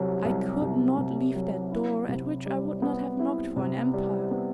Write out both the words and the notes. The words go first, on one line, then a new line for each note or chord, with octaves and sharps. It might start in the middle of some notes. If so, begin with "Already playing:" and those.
I could not leave that door at which I would not have knocked for an empire.
Already playing: C2 C3 F#3
C2
C2
C3
F#3
E4
C3
G3
B3
E4
C3
G3
B3